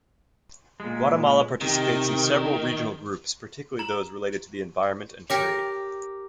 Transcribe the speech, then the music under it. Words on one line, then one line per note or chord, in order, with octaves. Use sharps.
Guatemala participates in several regional groups, particularly those related to the environment and trade.
A#2 G#3
C3 D#3
A#5 F#7
G4 A#4 C#5 G5